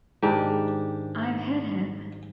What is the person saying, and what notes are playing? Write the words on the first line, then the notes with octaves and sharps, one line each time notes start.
I've hit him.
G#2 D#3 D4 G4